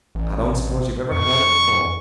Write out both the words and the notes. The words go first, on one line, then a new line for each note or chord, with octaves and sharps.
"I don't suppose you ever heard it before."
A1
F2 C#6